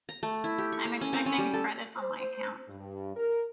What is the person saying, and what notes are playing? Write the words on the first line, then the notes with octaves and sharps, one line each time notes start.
I'm expecting a credit on my account.
A#5
A3
E4
G4
C#6
C#5
C#4
C4
C#4
G3
A4
C5
G2
A#4